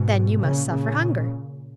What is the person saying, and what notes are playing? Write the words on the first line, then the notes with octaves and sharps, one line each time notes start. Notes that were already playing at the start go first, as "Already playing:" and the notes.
"Then you must suffer hunger."
Already playing: G#2 B2
A#2 C#3
A#2 C#3